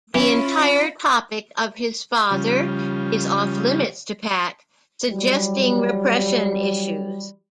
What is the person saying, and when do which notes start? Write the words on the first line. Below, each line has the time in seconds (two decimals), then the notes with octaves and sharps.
The entire topic of his father is off limits to Pat, suggesting repression issues.
0.14 E3 C#4 E4 F4 B5 A6
2.31 C#3 F3 G3
5.10 E3 F#3 G3